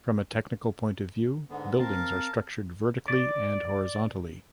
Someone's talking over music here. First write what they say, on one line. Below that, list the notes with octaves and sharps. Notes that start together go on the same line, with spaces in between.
From a technical point of view, buildings are structured vertically and horizontally.
G#2 D3 B3
C4 A#4 F5 A5
D5